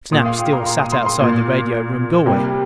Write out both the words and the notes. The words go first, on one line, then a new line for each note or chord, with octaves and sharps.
Snap still sat outside the radio room doorway.
A#2 A#3 D#6
F5
G5
A#5
C6
D#6
C6
C6
A#2 A#3
C3 G3 A#3 G5